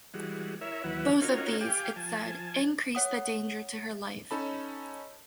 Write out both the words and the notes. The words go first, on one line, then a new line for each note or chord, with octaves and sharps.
Both of these, it said, increased the danger to her life.
E3 G3 G#3 F#4
E4 A#4 C#5 E5
D#2 E3 F#3 E4 B4 F#5
C#4 D#4 F4 F#4 A#4 C#5
G4 F5 G5 G#5 D6
F3 G#5 A5
C#5 F#5 D#6
C#4 D#4 A4 A5 B5